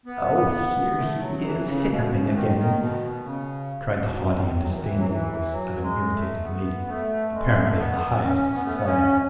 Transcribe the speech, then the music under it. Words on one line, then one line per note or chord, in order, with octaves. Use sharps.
"Oh, here he is hiccupping again!" cried the haughty and disdainful voice of an irritated lady, apparently of the highest society.
B3
A3
F#3
E3
B2
C#3
B2
C#3
E3
D#3
D#3
B2
C#3
B2
E3
D#3
F#3
E3
D#3
E3
F#3
E3
F#3
G#3
A3
B3
A3
G#3
B3
A3
B3
C#4
B3
A3
B3
C#4